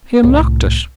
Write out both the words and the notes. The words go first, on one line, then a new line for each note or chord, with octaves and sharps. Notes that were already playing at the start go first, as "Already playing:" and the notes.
He unlocked it.
C2 A2